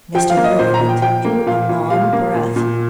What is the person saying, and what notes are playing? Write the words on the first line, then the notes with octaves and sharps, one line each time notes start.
Mr. Briggerland drew a long breath.
F3 G5
F5
A#3
D#5
A#2 C5
A#5
A#2
G5
F3 G5
A#3
A#2 F5
A#2
G3 F5
A#3
A#2
A#2